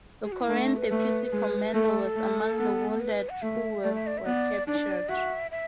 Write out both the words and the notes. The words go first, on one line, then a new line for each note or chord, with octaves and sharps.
The Korean deputy commander was among the wounded who were captured.
G#4
F#4
E4
A3 D4
D4
B4
A3
G#3
A3 A4
A3
B3
B4
F#5
A3 E5
A3 D5
E5
D5
E5
B3 D5
D4 D5
F#4 E5
E5